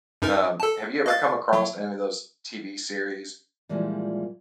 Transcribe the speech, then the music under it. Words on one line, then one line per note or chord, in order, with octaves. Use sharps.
um, have you ever come across any of those TV series
F#2 D#4 A#4
A4 A5
D#5 F5 A6
F#3
A#2 E3 F3 G3 G#3